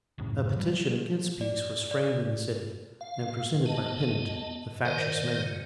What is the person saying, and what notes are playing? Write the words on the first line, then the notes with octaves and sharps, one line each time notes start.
A petition against peace was framed in the city, and presented by Pennington, the factious mayor.
A#1 F#2 A2 C#3
F3 G3
D5
D5
F5
B3 D#5 A5
D#3 A#4 C5 D5 D#5
C#3